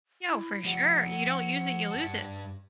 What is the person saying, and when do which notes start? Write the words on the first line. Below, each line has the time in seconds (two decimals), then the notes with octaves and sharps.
Yo, for sure. You don't use it, you lose it.
0.28 E4
0.65 F3 G4 F#5
1.91 G2 G4 A5